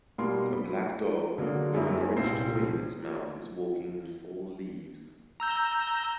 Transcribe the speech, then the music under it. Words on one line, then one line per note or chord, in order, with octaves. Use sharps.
A black dog with an orange toy in its mouth is walking in fall leaves.
B2 G3 A#3 C6
B5
D3 F#3 G#3 A#3
F#2 G#3 A#3 C4 D#4 E4
G#5
C2 A#2 C4 C5 C7
A#5 E6 G6